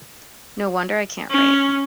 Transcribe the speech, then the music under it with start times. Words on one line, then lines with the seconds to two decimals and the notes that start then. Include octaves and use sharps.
No wonder I can't write!
1.31 C#4